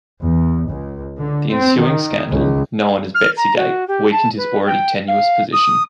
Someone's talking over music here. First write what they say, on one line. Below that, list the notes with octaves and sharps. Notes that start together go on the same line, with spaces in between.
The ensuing scandal, known as "Betsygate", weakened his already tenuous position.
E2
C#2
D3
C4
D#3
C#2
F6
A#5
F#4
G4
A5
B4
G5
F5
D#6